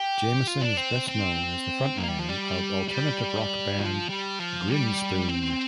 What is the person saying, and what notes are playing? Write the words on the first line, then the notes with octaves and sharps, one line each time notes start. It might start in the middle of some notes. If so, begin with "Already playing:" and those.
Jamieson is best known as the front man of alternative rock band Grinspoon.
Already playing: G4
F4
D4
C4
C4
A#3
G3
F3
G3
G3
F3
G3
F3
G3
C4